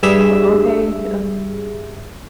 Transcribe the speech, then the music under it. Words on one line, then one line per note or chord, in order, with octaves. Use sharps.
Oh, okay. Uh
G2 G3 G#4 E5 E6